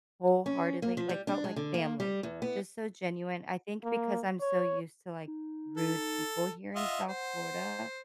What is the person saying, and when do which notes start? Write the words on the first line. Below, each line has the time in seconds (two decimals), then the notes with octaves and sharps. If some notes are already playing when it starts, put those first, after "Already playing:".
wholeheartedly, like, felt like family, just so genuine, I think because I'm so used to, like, rude people here in South Florida,
0.46 C#4
0.82 A#3
0.97 F3
1.09 G3
1.27 D4
1.44 G#3
1.56 D3
1.74 A#3
2.00 G3
2.23 E2
2.42 B3
3.84 A#3
4.41 C#5
5.28 D#4
5.77 A4
6.76 F4 D#5 E5 F#5
7.08 C5